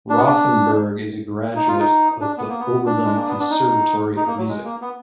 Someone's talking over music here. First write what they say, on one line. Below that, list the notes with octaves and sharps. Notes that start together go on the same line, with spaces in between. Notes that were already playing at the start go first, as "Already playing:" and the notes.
Rothenberg is a graduate of the Oberlin Conservatory of Music.
D4
B3
D4
D#4
F4
D#4
D4
B3
A#3
B3
D4
G#3
A#3
B3
D4
D#4
D#4
A#3
F#3
G#3
A#3
B3